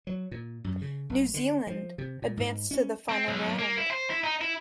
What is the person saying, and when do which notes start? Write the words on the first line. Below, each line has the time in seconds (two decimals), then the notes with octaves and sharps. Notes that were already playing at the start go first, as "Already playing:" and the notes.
"New Zealand" advanced to the Final Round.
0.07 F#3
0.31 A#2
0.64 F#2
0.82 C#3
1.10 B1
1.34 D3
1.67 F3
1.98 C3
2.22 A#2
2.37 G#2
2.71 C#4
3.09 C4
3.28 B1
3.59 A#3
3.78 E4
3.91 C5
4.10 E4
4.24 D#4
4.41 E4